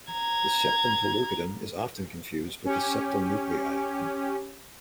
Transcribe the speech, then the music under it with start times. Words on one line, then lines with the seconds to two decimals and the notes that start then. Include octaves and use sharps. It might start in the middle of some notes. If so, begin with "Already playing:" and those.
The septum pellucidum is often confused with the septal nuclei.
0.12 A#5 G#6
2.65 C#4 G4